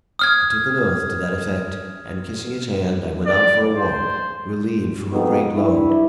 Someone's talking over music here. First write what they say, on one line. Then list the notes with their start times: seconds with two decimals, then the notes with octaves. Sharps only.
I took an oath to that effect, and kissing his hand, I went out for a walk, relieved from a great load.
0.19 D#6 F6 G#6
3.26 D5
3.76 C5
5.12 F2 B2 B3 D#4
5.56 G2 D4 E4